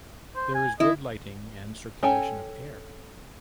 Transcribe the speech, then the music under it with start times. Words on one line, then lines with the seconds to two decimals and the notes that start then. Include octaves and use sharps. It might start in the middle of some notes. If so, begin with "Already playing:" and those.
There is good lighting and circulation of air.
0.36 C5
0.55 G#5
0.80 E4 D#5
2.03 C#4 A4 G5 G#5